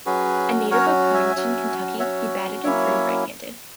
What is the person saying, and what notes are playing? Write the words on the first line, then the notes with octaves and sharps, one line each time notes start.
A native of Covington, Kentucky, he batted and threw right-handed.
F#3 C#4 F#4 G#4 B4
F#3 C#4 F#4 A#4 C#5
E5 G#5
F#3 C#4 F#4
F#3 C#4 F#4 C#5 E5
F#3 A#3 C#4 E4 C#5 E5